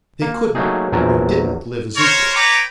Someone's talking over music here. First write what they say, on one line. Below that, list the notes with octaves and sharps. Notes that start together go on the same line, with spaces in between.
They couldn't or didn't live as equals.
A#3
F#3 A3 A#3 D#4 G#4
A#1 E2 F#3 A#4 G#5 A5
A#4 C5 C#5
B4 C#5 G5 A#5 D6